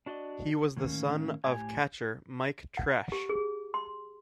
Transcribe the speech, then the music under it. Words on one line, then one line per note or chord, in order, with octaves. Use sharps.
He was the son of catcher Mike Tresh.
D4 F#4 D5 D#5
A2 D#3 A#3 C#4
A2 G4 G#5
F#5
G4
G#4
C6